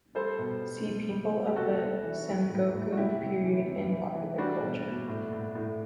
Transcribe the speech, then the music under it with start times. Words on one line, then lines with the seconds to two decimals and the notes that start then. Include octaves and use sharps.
See People of the Sengoku period in popular culture.
0.15 G3 A4 C5
0.39 B2
0.62 G3
0.86 B2
1.09 G3
1.33 G3
1.47 G4
1.56 C3 F#4 A4
1.80 C3
2.03 E3
2.27 F#3
2.50 A2
2.74 A2
2.92 F#4
2.97 C3 E4 G4
3.21 C3
3.44 E3
3.67 C3
3.91 E3
4.14 E3
4.38 G3 D4 F#4
4.62 B2
4.85 B2
5.08 A2
5.33 A2
5.55 A2